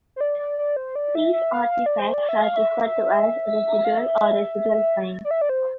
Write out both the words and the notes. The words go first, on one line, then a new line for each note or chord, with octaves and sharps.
These artifacts are referred to as "residual" or "residual finds".
C5
D5
D5
D5
C5
D5
E5
E5
F5
F5
D5
C5
D5
E5
F5
E5
E5
F5
E5
D5
E5
D5
C5